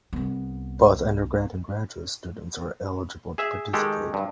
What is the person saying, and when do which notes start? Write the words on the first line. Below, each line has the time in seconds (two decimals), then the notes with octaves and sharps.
Both undergrad and graduate students are eligible to participate.
0.13 C2 B3
3.38 G#4 E5
3.73 D#3 G#3 G4 A4
4.14 G2